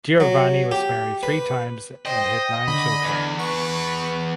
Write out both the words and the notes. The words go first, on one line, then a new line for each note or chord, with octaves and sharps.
Giovanni was married three times and had nine children.
F#3
G4
B4
C5 D#5 G5
D3 B5
E2
B4 C#6